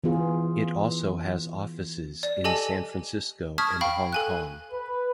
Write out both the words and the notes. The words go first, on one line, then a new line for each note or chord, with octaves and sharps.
It also has offices in San Francisco and Hong Kong.
E3 B3 F4 G#4
D5
G4 A4 D#5 G#5 A5
A5 C#6 D#6 F6 G#6 B6
F5 G5 B5 C#6
A4 G#5 F#6
B4